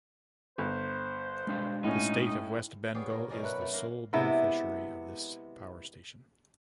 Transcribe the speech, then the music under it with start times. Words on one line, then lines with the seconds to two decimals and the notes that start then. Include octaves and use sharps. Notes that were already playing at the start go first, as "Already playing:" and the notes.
The state of West Bengal is the sole beneficiary of this power station.
0.58 G1 C5
1.47 G#3 D4 F5
1.84 A2 C#4 D#4
2.94 B3 G4 G#4 C#5 D5 F5
3.10 A2 A#4
3.29 F#2 B2 C#4 A#4 D5
3.43 E4 A4 B4 F#5 B5
3.61 A3
3.73 A#3 E4 A#4
4.13 C3 G#3 B3 E4